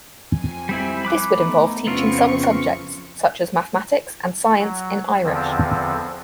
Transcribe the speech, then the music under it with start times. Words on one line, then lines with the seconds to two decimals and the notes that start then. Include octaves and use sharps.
This would involve teaching some subjects such as Mathematics and Science in Irish.
0.33 F2 G#5
0.69 G3 C4 E4
1.05 B5 D6 F#6
1.34 A3 B3 D#4
1.87 F2 C#3 B3 C4 F4 C#6
4.59 F#3
5.24 E2 D3 F3 C4